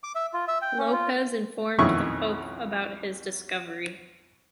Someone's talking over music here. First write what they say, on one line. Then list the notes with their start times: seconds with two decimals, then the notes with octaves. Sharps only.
Lopez informed the Pope about his discovery.
0.03 D6
0.15 E5
0.33 F4
0.48 E5
0.62 G5
0.78 C#4
0.93 F4
1.79 B1 F2 D#3 C#4 E4 C#6